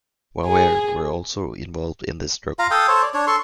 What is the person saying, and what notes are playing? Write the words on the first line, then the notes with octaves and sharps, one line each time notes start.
Waware were also involved in this struggle.
G#4
F4 F5 A#5
A4 F5 G5 D#6
A4 C5 C#5
D5
D4 C#5
A4 C6 C#6